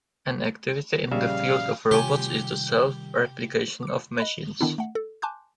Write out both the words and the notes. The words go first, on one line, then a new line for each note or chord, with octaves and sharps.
An activity in the field of robots is the self-replication of machines.
A#1 C#3 G3 E5 F5
C3 D#3 G3 F4 G4 C#5 G#5
D6 C#7
D#5 B5 F#6
D3 D#3 B3 D4 E4
A3 F#5
A4
G#5 A5 C6 D6 F#6 G6